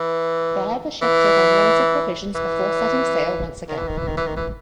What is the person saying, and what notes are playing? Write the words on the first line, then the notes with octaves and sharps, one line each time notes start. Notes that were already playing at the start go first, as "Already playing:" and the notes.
There the ship took on limited provisions before setting sail once again.
Already playing: E3
E3
E3
D#3
E3
D#3
E3
D#3
E3
D#3
E3